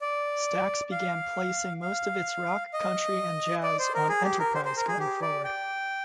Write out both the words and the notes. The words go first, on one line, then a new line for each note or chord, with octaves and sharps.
Stax began placing most of its rock, country and jazz on Enterprise going forward.
D5
F5
F5
D#5
D5
C5
A#4
G#4
G4
A#4
C5
C5
A#4
G#4
G4
D5
G5